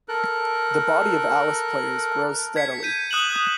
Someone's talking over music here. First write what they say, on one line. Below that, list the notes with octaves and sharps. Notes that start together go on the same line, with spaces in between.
The body of Alice players grows steadily.
A4 A#4 F#6
G#6 B6 C#7
G6 D#7
D#6 F#6 E7 F#7